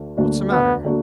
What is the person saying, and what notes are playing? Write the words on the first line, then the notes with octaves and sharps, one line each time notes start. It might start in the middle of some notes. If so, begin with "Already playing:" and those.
"What's the matter?"
Already playing: D2 D3
D2 D3 A#3 D4 F#4
B3
D3 A#3 D4 F#4